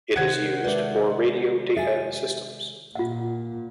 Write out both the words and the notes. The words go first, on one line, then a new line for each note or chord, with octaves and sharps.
It is used for radio data systems.
C3 D#3 C5 F#5 G#6
G#3 A4 B4 D5 E5
G4 E5 G#5 A6 D#7
A#2 F4 F#5